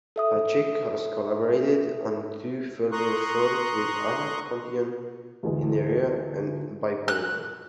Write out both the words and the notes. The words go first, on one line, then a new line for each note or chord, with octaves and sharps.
Patrick has collaborated on two further shorts with Anna Campion, "Inertia" and "Bipolar".
A4 E5 D#6
A#5 C6 C#6 D#6 F#6
D2 E3 G#3
F#6